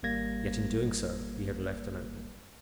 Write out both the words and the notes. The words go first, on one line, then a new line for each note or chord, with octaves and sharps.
Yet, in doing so, he had left an opening.
G#1 G3 A#3 G#6 A#6